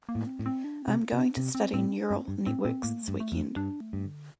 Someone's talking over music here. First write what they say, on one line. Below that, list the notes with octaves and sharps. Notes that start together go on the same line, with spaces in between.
I'm going to study Neural Networks this weekend.
A#3
A2
C4
A2
C4
D4
C4
C3
A#3
C3
D4
C3 C4
C4
A2 C4
D4
G2 C4
G2 D4
A2 C4
A#2 C4
A2 A#3
A3
G2
A3
F2
G2 D4
A3
G2
D3